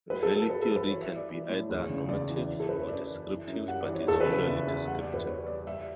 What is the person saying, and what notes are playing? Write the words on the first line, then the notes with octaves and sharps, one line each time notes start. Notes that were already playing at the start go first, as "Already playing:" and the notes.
Value theory can be either normative or descriptive but is usually descriptive.
F#3 B4
A4
F#3
A4
F#3 B4
A4
F#3
B4
E3 C#5
E5
G3
D5
E3
A2
E2
C#3
E2 D5
E3
E3
A4
F#2 B4
C#5
F#2 D5
E3
E3
F#2
G3 F#5
D5
E3
C#5
E2 A4
B4
C#3
E2 E5
E2 E5
G3 F#5
D5
G3
B4
E2 C#5
G3 D5
G3 E5